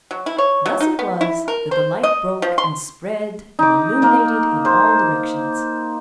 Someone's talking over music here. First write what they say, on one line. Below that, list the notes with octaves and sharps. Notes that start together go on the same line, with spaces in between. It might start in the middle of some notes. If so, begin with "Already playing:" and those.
Thus it was that the light broke and spread and illuminated in all directions.
F#3
E4
C#5
F#3
D#4
B3
E4
A#4
C5
D#5
F3
C6
D#4 D6
A#3 D#4
C5